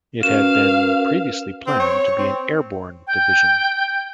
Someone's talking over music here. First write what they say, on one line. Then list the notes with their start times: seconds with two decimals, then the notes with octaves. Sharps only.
It had been previously planned to be an airborne division.
0.23 C#4 F#4 A#4 B4 F5 E7
1.67 C4
1.80 C#5
2.18 C4
3.07 G5